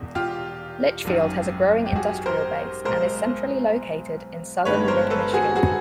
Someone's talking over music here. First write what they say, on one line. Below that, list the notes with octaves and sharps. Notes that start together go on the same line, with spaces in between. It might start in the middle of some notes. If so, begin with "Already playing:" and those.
Litchfield has a growing industrial base and is centrally located in southern Mid-Michigan.
Already playing: E1 E2
F4 G4
G#1 F#2 D#3
G4
F#4 G#4
A#4 C5
B1 B2 G#3 A#4 C5
G1 G2 D#3 G#3 B4 C#5
A#4 C5
A4 B4
F#4 G#4
F#4 G#4